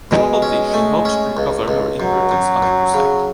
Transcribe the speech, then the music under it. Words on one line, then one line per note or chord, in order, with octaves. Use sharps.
Probably she hoped to recover her inheritance on the crusade.
B2 G#3
C#4
A3
C#4
C#2
C#2
F#2 F#3
F#2
F#2
C#3